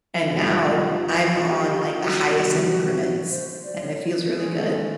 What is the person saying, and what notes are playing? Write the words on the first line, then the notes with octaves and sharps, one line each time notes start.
and now I'm on, like, the highest increments, and it feels really good.
E4
F2 C3 D#3 G3 B3 F4
F4
G4
F4
F#4
C3 D#3 G3 B3
C5
D5
C#5
D#3 G#3 C#4 G#4
A4